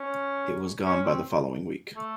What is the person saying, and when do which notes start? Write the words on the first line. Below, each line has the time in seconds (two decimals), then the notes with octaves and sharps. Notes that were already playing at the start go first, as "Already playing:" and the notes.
It was gone by the following week.
Already playing: C#4
0.85 C#4
1.04 C4
1.96 A3